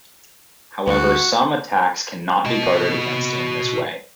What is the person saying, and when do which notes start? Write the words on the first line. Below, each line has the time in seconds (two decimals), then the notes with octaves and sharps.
However, some attacks cannot be guarded against in this way.
0.87 D2 F#4
2.46 F#4 D#5